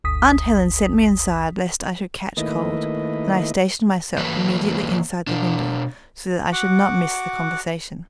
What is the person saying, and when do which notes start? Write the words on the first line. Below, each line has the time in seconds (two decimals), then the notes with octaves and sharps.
Aunt Helen sent me inside lest I should catch cold, and I stationed myself immediately inside the window so that I should not miss the conversation.
0.04 G1 D2 D#6 B6
2.37 D#3 A3 A#3 E4 B4 D#5
4.18 E3 F#3 A#3 A4 B4
5.27 B2 D4
6.52 F#4 F#5 D6